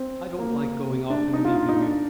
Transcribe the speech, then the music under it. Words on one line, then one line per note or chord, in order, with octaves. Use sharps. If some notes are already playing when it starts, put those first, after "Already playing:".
"I don't like going off and leaving you."
Already playing: C4
A#3
D4
D#4
F4
F4
D#4
D4